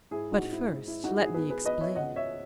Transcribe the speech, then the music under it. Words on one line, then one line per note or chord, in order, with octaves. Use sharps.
But first, let me explain.
G#2 E4 G#4
D#4 F#4
G#2
E4
G#2
E4
G#2 D#4 F#4
E4 G#4
E2 G#4 B4
G#4 B4
E2 B4 D#5
C#5 E5
C#2 D#5 F#5
C#5 E5